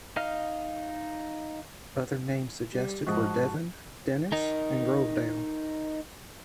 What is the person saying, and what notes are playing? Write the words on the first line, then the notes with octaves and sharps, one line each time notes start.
Other names suggested were Devon, Dennys and Grovedale.
D#4 D#5 F5 F6
G3
G#2 F3 G#3 F#4 D#5 A5
D#4 A#4